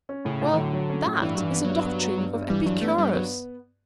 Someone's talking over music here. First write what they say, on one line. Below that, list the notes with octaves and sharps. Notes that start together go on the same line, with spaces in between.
"Well, that is a doctrine of Epicurus."
C#4
A2 C#3
A2
E3
D3 F#3
F#3
C#4
A2
G2 E3
G2 F#3
E3
B3
F#3
G2
B3
B3
G2
G2
E3 G3
G2 F#3
A3 B3
G2 G3
F#3 B3